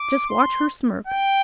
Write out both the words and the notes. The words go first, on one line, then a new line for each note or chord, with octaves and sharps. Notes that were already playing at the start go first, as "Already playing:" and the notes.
Just watch her smirk!
Already playing: D6
C6
G5